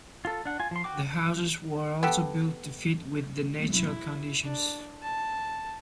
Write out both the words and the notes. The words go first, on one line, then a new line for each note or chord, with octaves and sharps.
The houses were also built to fit with the natural conditions.
F4 A4
D4 F#5
F4 G#5
F3 C6
F#4 G5 D6
B3 G4 A4
E4
D4
A5